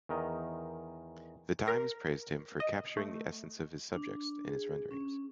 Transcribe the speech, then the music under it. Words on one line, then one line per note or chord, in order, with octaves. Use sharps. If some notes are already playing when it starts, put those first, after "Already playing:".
"The Times" praised him for "capturing the essence of his subjects" in his renderings.
E2 D#3 A#4 D#5
A#4
D#5
A3
D4
G#4
C#4